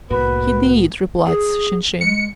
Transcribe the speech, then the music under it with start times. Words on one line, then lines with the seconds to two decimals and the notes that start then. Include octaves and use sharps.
"He did," replied Shinshin.
0.10 C2 A2 A#3 B3 F#4 B4 B5
1.26 G#4
2.01 G#3 C#7